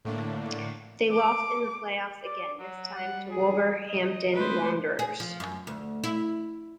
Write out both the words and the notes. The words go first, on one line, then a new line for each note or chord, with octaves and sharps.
They lost in the play-offs again, this time to Wolverhampton Wanderers.
A2 D3 A3 A#3 D4
D6
D5
F#3
G3 F#5
G#4
D#5
G#3 A3 B4 C5
G#4
F3
F#2
D2
E4